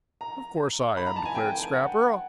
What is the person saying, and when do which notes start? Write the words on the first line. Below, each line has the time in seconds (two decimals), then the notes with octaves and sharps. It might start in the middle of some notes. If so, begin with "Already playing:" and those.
"Of course I am," declared Scrapper.
0.21 A#5
0.97 B5
1.07 A#5
1.16 A5
1.25 G#5
1.35 G5
1.73 F#5